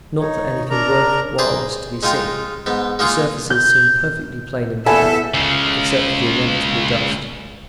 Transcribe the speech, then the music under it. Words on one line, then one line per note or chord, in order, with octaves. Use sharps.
Not that anything worth while was to be seen; the surfaces seemed perfectly plain and bare, except for the inevitable dust.
D#4 C#5
D4 A#4 A#5
G#4 B4 C5 D5
G#3 D#4 F4 A#4 G5
G#2 B3
G#3 A#3 D#4 F4 G#4
G6
E2 A4 E5 G#5 B5
C#2 C#3